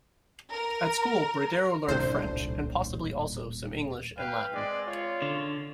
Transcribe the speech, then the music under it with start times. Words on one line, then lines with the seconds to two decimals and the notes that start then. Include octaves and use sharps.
At school Bredero learned French and possibly also some English and Latin.
0.50 A#4
1.88 D#1 C2 A2 D4 C5
4.17 B4 F5 G5
4.53 G#3 C4 D5
4.86 F4 C#5
5.22 D3